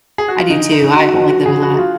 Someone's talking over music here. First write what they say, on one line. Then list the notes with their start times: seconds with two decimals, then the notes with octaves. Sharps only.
I do too. I I like that a lot.
0.18 G#4
0.28 F#4
0.40 F4
0.49 D3 D#4
0.72 D#4
0.82 D3
0.93 F#4
1.14 F3 F#4
1.30 F#4
1.46 D3 G#4
1.62 F#4
1.78 F4